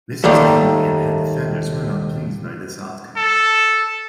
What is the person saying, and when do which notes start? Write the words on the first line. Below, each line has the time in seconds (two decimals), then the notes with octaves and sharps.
Mrs Langley and her defenders were not pleased by this outcome.
0.24 D#2 D#3 G3 A3
3.17 A4